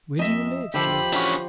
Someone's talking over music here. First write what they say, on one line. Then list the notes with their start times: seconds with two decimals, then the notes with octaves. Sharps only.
"Where do you live?" she asked.
0.19 F2 D#5 E5
0.74 D3 F3 G4 B5
1.13 E3 C#4 D4 F#4